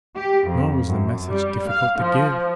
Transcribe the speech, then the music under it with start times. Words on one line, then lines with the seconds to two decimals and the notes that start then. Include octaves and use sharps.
Nor was the message difficult to give.
0.16 G4
0.49 F2
0.88 F#2
1.28 G3
1.69 F5
1.99 F3